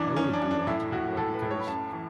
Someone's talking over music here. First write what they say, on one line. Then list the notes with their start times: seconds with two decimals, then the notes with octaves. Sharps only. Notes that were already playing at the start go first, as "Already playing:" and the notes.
I really do want to, yeah, because,
Already playing: F#2 E3 D4
0.16 F#2 C#4
0.33 D4
0.42 F#2
0.51 D4
0.67 A2 E4
0.92 A2 F#4
1.17 A2 A4
1.34 B4
1.42 A2
1.51 C#5
1.60 B5
1.67 F#2 A5
1.92 E3